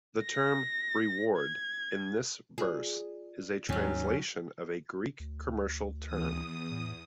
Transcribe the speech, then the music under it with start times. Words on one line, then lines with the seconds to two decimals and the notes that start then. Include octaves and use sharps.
The term "reward" in this verse is a translation of a Greek commercial term.
0.23 A#6
1.36 G#6
2.58 F4 G#4 D5
3.69 D#2 G#2 D#3 F#3 C#4
5.20 D2
6.07 E2 D#6
6.71 A2